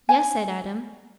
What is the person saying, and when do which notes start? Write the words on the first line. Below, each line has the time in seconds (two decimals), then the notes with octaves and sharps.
"Yes," said Adam.
0.09 G#5